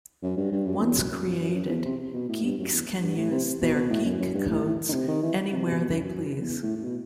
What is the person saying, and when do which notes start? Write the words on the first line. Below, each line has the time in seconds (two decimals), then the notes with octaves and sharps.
Once created, geeks can use their geek codes anywhere they please.
0.22 F#2
0.37 G2
0.52 G2
0.66 F#2
0.80 E2
0.93 F#2
1.11 F#2
1.26 F#2
1.40 F#2
1.55 F#2
1.69 E2
1.85 C3
2.14 B2
2.29 A2
2.43 G2
2.58 F#2
2.72 E2
3.02 G2
3.16 A2
3.31 C3
3.61 B2
3.76 B2
3.90 A2
4.05 F#2
4.19 F#2
4.34 G2
4.49 A2
4.64 A2
4.89 D#3
4.93 C3
5.08 D#3
5.23 E3
5.52 C3
5.66 B2
5.81 B2
5.90 G2
5.96 F#2
6.40 E2
6.63 A2
6.76 A2
6.84 B2